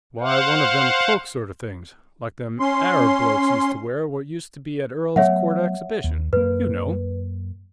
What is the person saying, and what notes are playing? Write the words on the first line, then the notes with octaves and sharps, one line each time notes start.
'Why,--one of them cloak sort of things, like them Arab blokes used to wear what used to be at Earl's Court Exhibition,--you know!'
C5 F5 F#5
C#4 C6
F#3 A3 B3 C#5 E5 F#5
D#2
F#2 A#3 B4